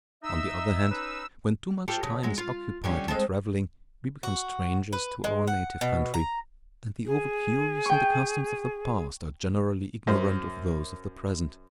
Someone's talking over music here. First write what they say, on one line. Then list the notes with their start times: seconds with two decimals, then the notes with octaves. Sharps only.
On the other hand, when too much time is occupied in traveling, we become strangers to our native country; and the over curious in the customs of the past are generally ignorant of those of the present.
0.23 D#4 D#5 E5 E6
0.90 C#4 D#4 B4
1.88 F4 G4 A4
2.03 C#3 F#3
2.23 F#3 G#3
2.38 F4
2.84 D3 G3 C#4
3.08 G#3 C4 A4
4.23 F#4
4.93 B4
5.24 G#3
5.47 F#5
5.81 B2
6.14 A#5
7.06 G#4
7.86 G5 C#6
10.07 F#2 C5